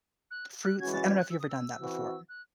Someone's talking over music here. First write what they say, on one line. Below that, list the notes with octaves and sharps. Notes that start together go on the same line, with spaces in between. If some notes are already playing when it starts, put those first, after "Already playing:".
fruits li I don't know if you've ever done that before.
F#6
F#6
E3 G#3 C#4 F#4 G#6
A6
G#6
F#6
E6
D#6
E6
E3 C4 F#4
F#6